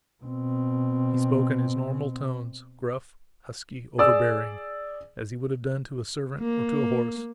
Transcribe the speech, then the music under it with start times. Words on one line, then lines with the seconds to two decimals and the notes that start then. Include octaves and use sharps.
He spoke in his normal tones; gruff, husky, overbearing, as he would have done to a servant or to a horse.
0.24 B2 C4
3.98 G#4 D5 E6
6.40 A#3